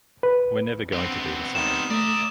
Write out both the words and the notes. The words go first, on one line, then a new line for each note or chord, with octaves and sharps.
We’re never going to be the same.
B4
D3 B3 C4
D#3 G3 E7
A3 D5 E5 A#5 D#6